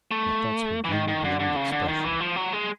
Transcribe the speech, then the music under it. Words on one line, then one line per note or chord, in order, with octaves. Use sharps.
My thots were gloomy beyond expression.
A3
E3
D#3
D#3
D3
D3
C#3
D3
D#3
E3
F3
F#3
G#3